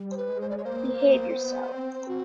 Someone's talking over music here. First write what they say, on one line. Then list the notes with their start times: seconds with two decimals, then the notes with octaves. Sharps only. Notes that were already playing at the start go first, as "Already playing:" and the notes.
Behave yourself!
Already playing: G3
0.11 C5
0.17 B4
0.29 G#3
0.41 C5
0.50 D5
0.57 C#5
0.64 A#3 C5
1.31 C4
1.36 B3
1.72 C4
2.08 F#4